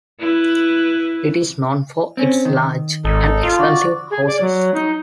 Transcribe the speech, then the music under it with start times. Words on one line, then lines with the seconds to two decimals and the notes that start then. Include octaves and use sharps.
It is known for its large and expensive houses.
0.19 E4 B4
2.17 C4 C#4
2.45 D#3
3.04 G#1 D#4 A4
3.43 F4
3.59 D3 F#4 D5
4.11 G#4
4.27 D5
4.41 F#3
4.74 D#4